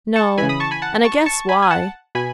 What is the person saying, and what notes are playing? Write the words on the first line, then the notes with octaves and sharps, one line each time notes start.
'No; and I guess why.
A5 C#6
C#3 E3 G#5 B5
B5 D#6
A5 C#6
G#5 B5
F#5 A5
A5 C#6
A5 C#6
G#5 B5
G#5
F#5 A5
B2 G#5 B5